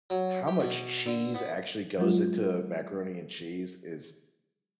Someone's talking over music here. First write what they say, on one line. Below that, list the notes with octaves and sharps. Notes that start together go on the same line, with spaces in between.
how much cheese actually goes into macaroni and cheese is
F#3
G4
B2
D3
B3
F3 F#3 G#3 F4